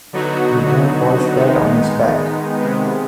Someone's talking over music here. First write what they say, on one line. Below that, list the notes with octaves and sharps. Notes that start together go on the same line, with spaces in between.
He then falls flat on his back.
D3 F#3 B3 D#4 F#4
D#3 G#3 B3 D#4
C3 D#3 G#3 B3